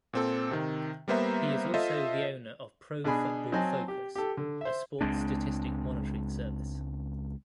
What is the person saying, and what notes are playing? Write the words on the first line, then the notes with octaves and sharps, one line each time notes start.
He is also the owner of Pro Football Focus, a sports statistic monitoring service.
A#2 C4 A4
C3 D#3
G3 A#3 B3 C5 E5 A#5
F4 A4 C5 D#5 E5
B2 D4 G#4 G#5 B5
F#3 C4 C5 D#5 G#5 A5
G4
G4 A4
D3
C5 E5
C#2 G#3 C4 D4